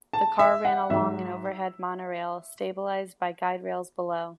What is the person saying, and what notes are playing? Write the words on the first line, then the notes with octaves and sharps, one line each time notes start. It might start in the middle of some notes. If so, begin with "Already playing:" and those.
The car ran along an overhead monorail, stabilised by guide rails below.
A5
E5
F#5
G#2 F#3 E5